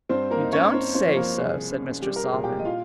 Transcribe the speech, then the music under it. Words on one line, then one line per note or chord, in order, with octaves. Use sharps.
"You don't say so," said Mr. Salvin.
G2 C4 C5
A#3 A#4
D#4
C#4 C#5
C4 C5
C4 C5
F3
A#3 A#4
C2 G#4
C#4
G3 G4
A#4
G#4
A#2
G4 G5
D#5
F4 F5